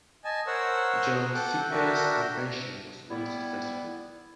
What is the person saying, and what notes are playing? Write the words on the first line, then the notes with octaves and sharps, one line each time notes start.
John Sipe's invention was unsuccessful.
D#5 G#5 A5
A#4 C5 C#5 F#5 E6
A4 F#5 G5 D6
D4 F#4 A#4 E5 G5
G3 B3 E4